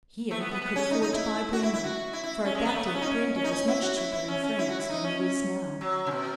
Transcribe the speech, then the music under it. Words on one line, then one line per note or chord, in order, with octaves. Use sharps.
Here he could afford to buy brandy, for at that date brandy was much cheaper in France than it is now.
A3
B3
B3
B3
C#4
D#4
D#4
E4
F#4
E4
E4
F#4
E4
E4
C#4
G#3
B3
A3
B3
C#4
D#4
C#4
C#4
D#4
C#4
E4
F#4
E4
E4
C#4
C#4
E4
F#4
E4
D#4
C#4
C#4
F#3
C#3
B2